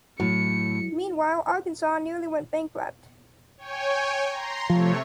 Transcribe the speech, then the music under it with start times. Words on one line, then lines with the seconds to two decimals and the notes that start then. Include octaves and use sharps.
Meanwhile, Arkansas nearly went bankrupt.
0.20 A2 F#3 C#7
3.57 C#5 G5 G#5
4.29 A#5 C6
4.70 C3 F3 A3 C#5